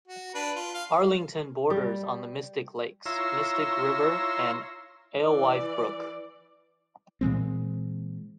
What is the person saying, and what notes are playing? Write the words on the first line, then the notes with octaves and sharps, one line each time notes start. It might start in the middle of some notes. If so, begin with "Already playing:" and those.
Arlington borders on the Mystic Lakes, Mystic River, and Alewife Brook.
F#4
D4 B4
F4
F5
G3
E4 F4 C#5 A#5 C6 E6
E3 D5
A#2 E3 G#3 C4